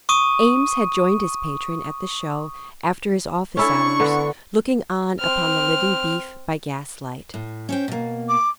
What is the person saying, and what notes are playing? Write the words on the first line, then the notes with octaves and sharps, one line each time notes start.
Eames had joined his patron at the show after his office hours, looking on upon the living beef by gaslight.
C#6 D#6 D#7
C#4 D4 E4 A4 C#6
D3 B3
C4 F6
A2
C#4 C5 G5
B2 A#3
D6